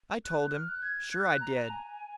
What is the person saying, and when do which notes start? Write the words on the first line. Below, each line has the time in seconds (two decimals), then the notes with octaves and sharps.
I told him; sure I did.
0.25 F#6
0.39 F#6
0.53 F6
0.69 F#6
0.82 G#6
1.12 F#6
1.41 A#5
1.70 G#5